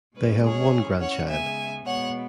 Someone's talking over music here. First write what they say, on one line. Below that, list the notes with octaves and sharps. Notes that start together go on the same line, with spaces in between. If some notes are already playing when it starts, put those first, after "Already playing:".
They have one grandchild.
B2 G#3 C#4 B4
G#4 C#5
E3 C#4
C#5 F#5
C#3 G#3 B3 E5 G#5
B2 G#3 B3 C#5 F#5